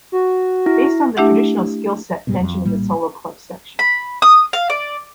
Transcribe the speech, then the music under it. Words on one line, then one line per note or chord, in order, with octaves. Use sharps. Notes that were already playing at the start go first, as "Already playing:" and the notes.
Based on the traditional skill set mentioned in the solo club section.
F#4
E4
A3 D4 E4 G4 E5 F#5
F2 G#2 B2
F2
A#1 A2 G3 A#3
B5
D#6
F5
D5